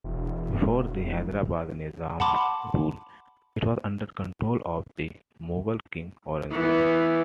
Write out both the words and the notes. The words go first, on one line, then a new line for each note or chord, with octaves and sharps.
Before the Hyderabad Nizam's rule, it was under control of the Mughal King Aurangzeb.
E1
F#5 A5 B5 C6 D6
E3 B3